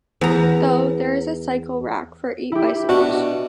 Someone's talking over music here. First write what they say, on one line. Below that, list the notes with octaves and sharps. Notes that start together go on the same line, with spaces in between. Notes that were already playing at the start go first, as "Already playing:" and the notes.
Though, there is a cycle rack for eight bicycles.
E2 A#5
E4 G4
B2 D4 F#4